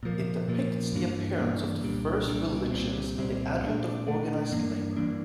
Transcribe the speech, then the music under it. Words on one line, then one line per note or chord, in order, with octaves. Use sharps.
It depicts the appearance of the first religions and the advent of organized labor.
A#2 F3 A#3
A#2 F3 A#3
G2 E3 A#3 D4
G2 E3 A#3 D4
C2 A#2 G3 D4
C2 A#2 G3 D4
C2 A#2 G3 C4
C2 A#2 G3 C4
A#2 A3 D4
A#2 A3 D4
G2 E3 A#3 D4
G2 E3 A#3 D4